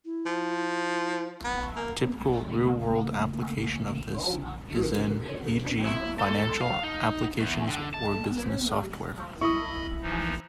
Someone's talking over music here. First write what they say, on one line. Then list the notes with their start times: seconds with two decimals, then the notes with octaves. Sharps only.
Typical real-world application of this is in, e.g., financial applications or business software.
0.05 E4
0.26 F3
1.44 B3
1.76 A#3 A#4
2.51 C#3 A3 A#3
5.86 E4
6.20 A4
6.61 F5
6.84 D#4
7.40 E2
7.67 D3
7.94 A5
9.41 E4 D#5 B5 C#6 D#6
10.02 E3 F3 D#4